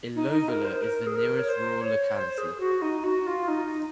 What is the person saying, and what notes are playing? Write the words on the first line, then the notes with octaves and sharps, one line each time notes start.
Ilovlya is the nearest rural locality.
D#4
D#4
A#4
C5
A#4
G#4
A#4
C#5
C5
C#5
C5
G#4
F#4
D#4
F#4
F4
D#4